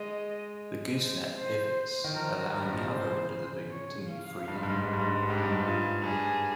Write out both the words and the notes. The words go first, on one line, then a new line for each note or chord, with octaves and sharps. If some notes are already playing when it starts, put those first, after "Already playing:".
The gooseneck pivots allowing the other end of the boom to move freely.
Already playing: G#3 D#5
C5
C5
D#3
F3 A#4
G2 A#4
G#2
A#2
C3
C#3 C5
C#5
F5
G2
G#2
G2
G#2
G2
G#2
G2
G#2
G2
G#2
G2
G#2 G4
G2
G#2
G2
G#2
G2 F4
G2 G#4